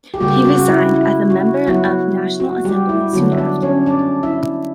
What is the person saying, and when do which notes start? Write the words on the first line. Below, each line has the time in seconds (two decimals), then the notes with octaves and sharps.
He resigned as a Member of National Assembly soon after.
0.14 G4
0.20 C#3 G3 A#3 F#4
0.45 F#4
0.58 F#4
0.68 E4
0.94 E4
1.30 F#4
1.67 F#3 B3 E4 F#4
2.40 F#4
2.65 G3 G4
2.89 E4
3.13 D3 F#3 B3 D4 F#4
3.32 E5
3.38 D4 D5
3.62 C#4 C#5
3.86 D4 D5
4.23 E4 E5